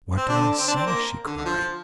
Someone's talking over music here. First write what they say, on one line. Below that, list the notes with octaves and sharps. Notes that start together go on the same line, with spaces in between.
"What do I see?" she cried.
C4
D3 D4
C4
D4
C4
A#3
D3
D3
F3